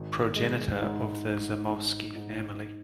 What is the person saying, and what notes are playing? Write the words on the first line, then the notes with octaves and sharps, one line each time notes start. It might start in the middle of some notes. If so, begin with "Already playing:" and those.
Progenitor of the Zamoyski family.
Already playing: G#1
G#3
G#2
G#2
G#2
G#2